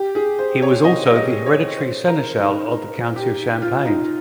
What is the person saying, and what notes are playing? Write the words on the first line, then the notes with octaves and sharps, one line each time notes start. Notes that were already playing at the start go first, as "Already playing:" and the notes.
He was also the hereditary seneschal of the County of Champagne.
Already playing: G4
G#4
C5
C#5
D#5
D#5
C#5
C5
A#4
D#4
G4
F4
D#4